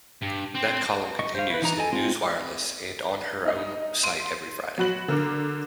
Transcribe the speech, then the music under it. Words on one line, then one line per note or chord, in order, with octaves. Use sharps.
That column continues in "NewsWireless" and on her own site every Friday.
G2
C4
D#5 C#6
C5 F5
E4 B4
E3 D#4 A#5
A4 D#5 G#5
G#3 C4 F4
D#4 D#5
C6 D7 D#7
F#3 F#4 B5 F#7
D3 A#4 D6